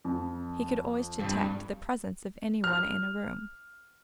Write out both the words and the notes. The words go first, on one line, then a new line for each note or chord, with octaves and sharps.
He could always detect the presence of any one in a room.
F2
G2
F6